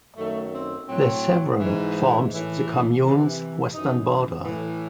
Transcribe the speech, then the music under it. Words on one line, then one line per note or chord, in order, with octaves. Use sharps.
The Sevron forms the commune's western border.
F#2 D#3 F#3 A3
C4
A2 F#3 C4
G#2 E3
A2 E3
C3 E3
F#2 E3 D#4
A2 E3